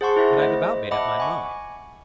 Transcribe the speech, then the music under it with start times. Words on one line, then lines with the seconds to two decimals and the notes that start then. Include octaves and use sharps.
But I've about made up my mind.
0.01 G#4 C5 F#5 A5 C6 C#6
0.16 E4 C5 E5 A#6
0.38 A3 C5 D#5
0.91 D#5 E5 F#5 A5 B5 D6
1.20 G#5 C#6